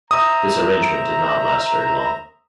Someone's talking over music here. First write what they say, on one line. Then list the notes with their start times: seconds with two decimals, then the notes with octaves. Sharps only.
This arrangement did not last very long.
0.11 C5 E5 A#5 D#6